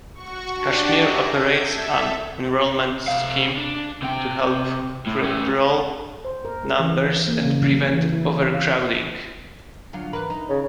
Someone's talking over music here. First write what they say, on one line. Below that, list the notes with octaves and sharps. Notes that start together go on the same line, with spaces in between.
Cashmere operates an enrolment scheme to help curb roll numbers and prevent overcrowding.
F#4 C#6
D4 F#4 G4 D5 A5 C7
G#4 D#5 E5 F#5 A#5 D6
G6 G#6
A4 E5
C3 F5
D4
C3 G5
A2
A3 C#4
C5
A#4
G#4
E3
A#3
C#3
F#3
E3
E4
C#5
F5
D3 F#3 F4
E3 A#4 B4
D#4
C#3